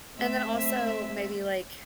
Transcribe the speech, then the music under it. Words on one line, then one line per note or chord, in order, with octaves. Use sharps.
and then, also maybe, like,
A3 C4 E5